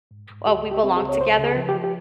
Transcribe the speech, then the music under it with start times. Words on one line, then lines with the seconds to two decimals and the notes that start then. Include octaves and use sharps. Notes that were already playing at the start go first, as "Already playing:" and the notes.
uh, "We Belong Together"
0.11 G#2
0.30 G#2
0.47 C#2 G4
0.66 C#2
0.71 G4
0.84 C4
0.97 G#4
1.02 C#2
1.09 C#5
1.20 C#2 C5
1.39 C#3
1.44 G#4
1.56 F3
1.69 G4
1.74 F3
1.84 G4